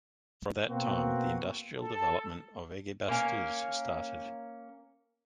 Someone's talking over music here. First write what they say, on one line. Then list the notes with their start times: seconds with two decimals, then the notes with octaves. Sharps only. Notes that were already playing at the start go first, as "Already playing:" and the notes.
From that time the industrial development of Ekibastuz started.
0.68 B2 A#3 C4 F#4
1.78 A4
3.08 A#3 C#4 A#4